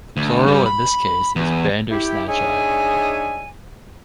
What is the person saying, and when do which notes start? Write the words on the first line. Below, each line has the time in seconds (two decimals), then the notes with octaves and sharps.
The plural in this case is bandersnatchi.
0.17 D2
0.46 G2 G3
0.66 B5
1.36 E2
1.91 E4 G4
2.28 D4 D#4 G#4 C#5 E5 G#5